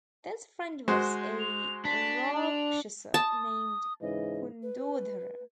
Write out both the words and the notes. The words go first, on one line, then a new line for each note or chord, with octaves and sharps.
This friend was a Rakshasa named Kundodhara.
G#3 F#4 C5
F7
D4 B6
F7
A5 D#6
G#2 C#3 E3 D#5
B4